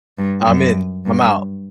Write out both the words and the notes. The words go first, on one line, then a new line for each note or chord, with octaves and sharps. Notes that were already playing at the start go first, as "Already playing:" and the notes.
"I'm in. I'm out."
G2
F#2
G2